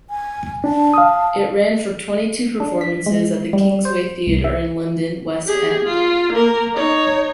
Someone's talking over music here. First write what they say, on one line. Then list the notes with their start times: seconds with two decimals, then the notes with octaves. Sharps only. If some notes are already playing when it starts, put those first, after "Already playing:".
It ran for twenty two performances at the Kingsway Theatre in London West End.
0.10 G#5
0.64 D4 A5
0.94 F5 D#6
2.60 D4
2.81 B6
3.06 G#3
3.53 G3
3.85 C5
4.27 C2
4.44 E5
5.45 G4 G#4
5.84 F4
6.33 A#3 A#4
6.74 D#4 C#5